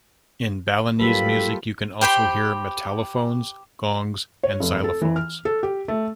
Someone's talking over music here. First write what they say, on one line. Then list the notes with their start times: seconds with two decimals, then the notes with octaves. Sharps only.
In Balinese music you can also hear metallophones, gongs and xylophones.
1.00 F#3 G3 A#3 F4 G4 A4 B4 B5
2.01 G4 C5 G5 B5
4.43 C#5
4.60 F1
4.84 A4
5.02 E3
5.16 F6
5.45 A4
5.63 G4
5.88 A3